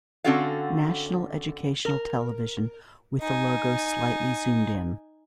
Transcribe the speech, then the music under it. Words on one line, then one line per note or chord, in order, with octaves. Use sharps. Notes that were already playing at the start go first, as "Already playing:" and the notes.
National Educational Television with the logo slightly zoomed in.
D3 C4 C#4 F#4 A4 F5
A#4
D#4 G#5